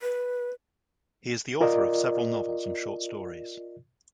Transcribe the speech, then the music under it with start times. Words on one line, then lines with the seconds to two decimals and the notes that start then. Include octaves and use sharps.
He is the author of several novels and short stories.
0.02 B4
1.61 F4 A#4 D5 D#5